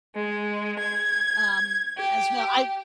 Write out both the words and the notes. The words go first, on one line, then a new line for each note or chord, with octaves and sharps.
um, as well, I've
G#3
G#6
G4